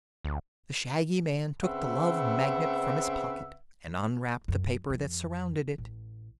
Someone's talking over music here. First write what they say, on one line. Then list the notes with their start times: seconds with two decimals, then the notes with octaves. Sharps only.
The shaggy man took the Love Magnet from his pocket and unwrapped the paper that surrounded it.
0.25 D2
1.63 C#3 C4 B4 E5 F#5
4.48 F#2
4.90 F2
5.78 A1